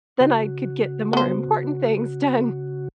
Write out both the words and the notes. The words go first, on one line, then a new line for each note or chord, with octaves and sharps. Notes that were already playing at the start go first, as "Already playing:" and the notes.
then I could get the more important things done
C#3 F#4
B3 C5